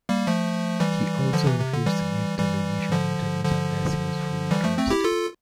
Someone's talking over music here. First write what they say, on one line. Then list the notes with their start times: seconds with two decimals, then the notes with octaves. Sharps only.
He also refused to give television interviews unless he was fully dressed.
0.09 G3 A#3
0.27 F3 A3
0.80 E3 G3
1.33 D3 F3
1.46 C3 E3
1.60 C3
1.73 D3
1.86 E3 G3
2.39 E3 G3
2.92 D3 F3
3.45 D3 F3
4.51 E3 G3
4.64 F3 A3
4.78 A3 C4
4.90 E4 G4
5.04 F4 A4